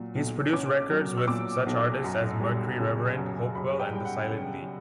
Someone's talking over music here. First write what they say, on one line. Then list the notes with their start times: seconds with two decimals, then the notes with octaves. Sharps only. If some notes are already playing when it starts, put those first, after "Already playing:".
He's produced records with such artists as Mercury Reverend, Hopewell and The Silent League.
Already playing: A#2 F#3
0.16 B1
0.52 C#4 D6
0.90 F#3
1.18 E6
1.28 A#2 D6
1.66 B1
2.04 F#2
2.41 G3
2.80 C#3
3.16 F#2
3.55 F#2 B5
3.80 G5
3.92 G3
4.05 F#5
4.30 C#3